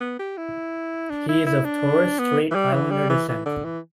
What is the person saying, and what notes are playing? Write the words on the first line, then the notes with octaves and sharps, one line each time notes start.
He is of Torres Strait Islander descent.
B3
G4
E4
D4
E4
E4
D4
B3
E3
G3
E3
G3
E3
E3
D3
E3